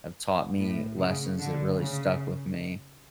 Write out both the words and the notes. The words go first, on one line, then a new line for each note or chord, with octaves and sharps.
have taught me lessons that really stuck with me,
A2
C#3
D3
C#3